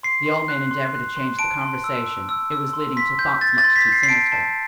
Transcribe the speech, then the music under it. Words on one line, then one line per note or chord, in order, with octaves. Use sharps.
The old man endeavored to change the conversation; it was leading to thoughts much too sinister.
C6 C7
C6
F#6
C6
F#6
C6
A5 D7
C6
E6
E6
E6
E6
C6
C6 B6
C6 G6
G6 A6
A6
C6
B6
G6
C7
C7
A5 D7
A5